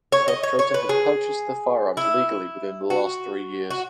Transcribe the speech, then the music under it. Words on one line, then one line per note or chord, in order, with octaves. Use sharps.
The perpetrator had purchased the firearms legally within the last three years.
C#5
D#5
C#5
C#5
B4
G#4
E4
F#4
F#4